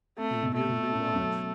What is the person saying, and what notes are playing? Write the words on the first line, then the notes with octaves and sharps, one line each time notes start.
He merely watched.
A3 C4
B2
A3
B2
C#4
F#3